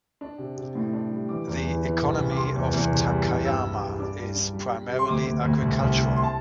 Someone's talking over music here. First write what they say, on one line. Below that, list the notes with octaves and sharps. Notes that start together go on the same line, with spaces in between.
The economy of Takayama is primarily agricultural.
D4
C3
C3
A2
D4
G3
E3 D6
E2
E3
E3
C2
C2
D6
C3 C6
E2
E2
C2
G3
C2
G2 E6
G3
G2
D4 D6
G2
D4
G3
G3
C3
C6
D2 D6
D2
D2
C2
C2
C3
C6
A5